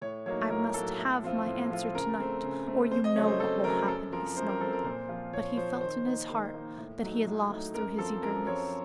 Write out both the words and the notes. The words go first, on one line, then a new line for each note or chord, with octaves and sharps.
"I must have my answer to-night, or you know what will happen," he snarled, but he felt in his heart that he had lost through his eagerness.
A2 C#5
F#3 A#3 D#4 C#5
A2 A#4
F#3 A#3 D#4 A4
A2
F3 C4 F4
A2
F3 C4 F4
C#3 A#4
A3 C4
C#3
A3 C4
F2 C5
D#5
C#3 F#3 A3 C4 C#5
C5
F2 A4
C#3 F#3 A3 C4 A#4
F#2 A4
F3 C4 A#4
F#2 C5
A#4
F3 C4 A4
A#4
A#2 C5
F3 C4 F4
A#2 C#5
F3 C4 F4 C5
D#3 C5
A#3 D#4
D#3
A#3 D#4
A2
F#3 A3 D#4
A2
F#3 A3 D#4
F#2 A#4
F3 C4 A4
F#2 A#4
F3 C4 C#5